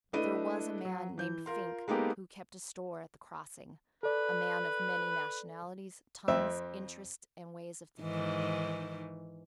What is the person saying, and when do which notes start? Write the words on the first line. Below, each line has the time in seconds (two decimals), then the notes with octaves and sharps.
But there was a man named Fink who kept a store at the Crossing--a man of many nationalities, tongues, interests, and ways of thinking.
0.13 A3 D4 E4 B4 D#5 D#7
0.85 F#3
1.18 E3 G6
1.46 F4 A#4 C6
1.88 G#3 A#3 B3 D#4 G4 A4
4.03 A4 B4 D5
6.28 F2 C4 E5
8.02 G#2 D#3 E3